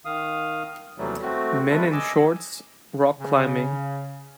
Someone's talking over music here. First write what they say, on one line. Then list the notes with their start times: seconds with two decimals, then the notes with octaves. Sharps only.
Men in shorts rock climbing.
0.05 D#3 F5 D#6
0.98 D#2 C3 E3 F#3 G3 A3
1.22 A3 C4 F#4
1.70 G3 G#3 C4 A4 B4 E5
1.92 D#5 G#5 D6 E6
3.20 C#3